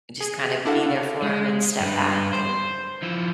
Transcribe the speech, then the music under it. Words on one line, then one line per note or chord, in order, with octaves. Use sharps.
just kinda be there for 'em and step back and
G#4
D4 E4 F#4 A4 F5 F#5
G#3
G2 B4
C5
F3 E4